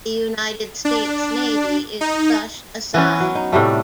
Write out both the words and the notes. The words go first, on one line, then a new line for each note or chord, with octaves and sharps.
The United States Navy is brushed aside.
D4
D#4
E3 B3 C#4 B4
F#3
D#4
A2 C3 G3 A3